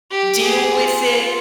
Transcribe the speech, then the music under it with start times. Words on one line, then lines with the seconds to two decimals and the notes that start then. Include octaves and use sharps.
deal with it,
0.11 G4
0.42 G4 G#4
0.74 F4
1.05 F4